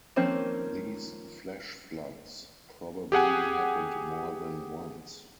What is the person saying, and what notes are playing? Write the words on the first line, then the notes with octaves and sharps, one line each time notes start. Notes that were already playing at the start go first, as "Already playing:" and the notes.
These flash floods probably happened more than once.
D#3 F3 A#3 C4 C#4
G4 G#4 F#5 G#5